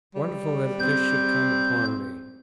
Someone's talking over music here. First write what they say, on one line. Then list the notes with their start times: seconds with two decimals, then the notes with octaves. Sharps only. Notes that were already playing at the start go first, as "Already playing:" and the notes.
Wonderful that this should come upon me!
0.15 G3
0.79 C4 G6